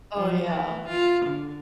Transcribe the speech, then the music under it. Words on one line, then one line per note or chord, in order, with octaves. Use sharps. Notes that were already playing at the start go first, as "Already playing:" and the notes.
Oh, yeah.
F3
E3
F4
D3